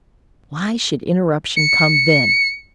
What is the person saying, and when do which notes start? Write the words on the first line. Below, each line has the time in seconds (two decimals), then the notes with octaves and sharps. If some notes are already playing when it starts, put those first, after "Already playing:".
Why should interruption come then?
1.56 C#7